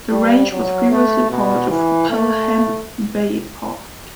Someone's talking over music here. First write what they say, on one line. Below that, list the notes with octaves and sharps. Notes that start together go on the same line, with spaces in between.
The range was previously part of Pelham Bay Park.
G3
F#3
A3
B2
E3
A3